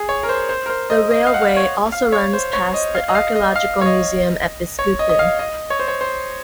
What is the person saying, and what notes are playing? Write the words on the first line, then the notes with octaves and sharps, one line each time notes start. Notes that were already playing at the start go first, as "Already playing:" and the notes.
The railway also runs past the archaeological museum at Biskupin.
Already playing: G#4
C#5
A#4
C5
C5
A#4
C5
D#5
D#5
F5
F#5
F5
C#5
F5
C#5
C5
C#5
D#5
F5
D#5
F5
D#5
F5
C#5
D#5
C#5
D#5
D#5
F5
D#5
C#5
C5
C#5
C5